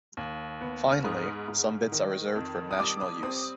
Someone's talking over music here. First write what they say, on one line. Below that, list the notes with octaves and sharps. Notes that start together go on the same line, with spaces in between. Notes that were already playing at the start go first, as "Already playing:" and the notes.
Finally, some bits are reserved for national use.
D#2
B3
F6
G#2 D#6
G#2
D#3
F2
D#6
G3 D6
D#6
C4 D#6